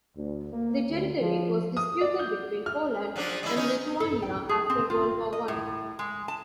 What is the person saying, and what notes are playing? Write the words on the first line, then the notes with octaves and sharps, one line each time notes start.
The territory was disputed between Poland and Lithuania after World War One.
D2
A#3
D2
F3
D#6
D5
G6
F6
F3 F#3 D4
G#3 E4
C#4 D#4
A4
G5
G#4
C4
F4
D#5
A2
G#3
A5